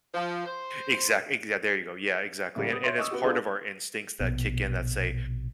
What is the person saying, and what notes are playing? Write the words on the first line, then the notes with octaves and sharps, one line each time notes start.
Exact exa there you go, yeah, exactly, and and it's part of our instincts that kick in that say,
F3
C5
A2 C#3 G3 A#3
B3 D#6
C#5 E5 C6
D#5 C#6 D#6 E6
B3 F#4 G4
G#3 B3 D4 F4 G#4 A4
A#1 B2